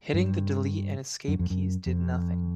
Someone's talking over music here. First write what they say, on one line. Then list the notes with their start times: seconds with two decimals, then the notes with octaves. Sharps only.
Hitting the delete and escape keys did nothing.
0.13 G2
1.28 F#2
1.39 F2
1.50 F#2
1.86 F2